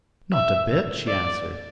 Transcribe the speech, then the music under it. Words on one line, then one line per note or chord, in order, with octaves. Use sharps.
"Not a bit," she answered.
E5
D5